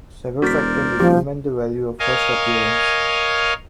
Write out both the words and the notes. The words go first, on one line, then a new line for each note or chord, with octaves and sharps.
Several factors determine the value of a first appearance.
E1 F#4 A#4 C5 D5 B6
D#1 F3 F4 G4
A#4 C#5 D#5 F5 G#5